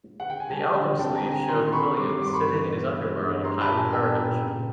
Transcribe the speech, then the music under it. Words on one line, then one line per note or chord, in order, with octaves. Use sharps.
The album sleeve showed Williams sitting in his underwear on a pile of garbage.
F#5
G5
G#5
G3 G5 A5
D3
C4 G5 A5
G#5 A#5
D3
G#5 A#5
D#3 A#5 C6
C6
C4 B5 C#6
G3 C6 D6
C6 D6
G2 C6 D6
B5 C#6
E3
B3
G#3
G2
G3 A#5 C6
A5 B5
A#2
G#5 A#5
B3 G5 A5
A#2
C#3